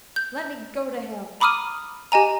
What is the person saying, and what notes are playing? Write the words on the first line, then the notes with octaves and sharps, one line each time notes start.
Let me go to hell!
G6
A#5 B5 D6 D#6 F6 D#7
G4 D#5 G#5 A#5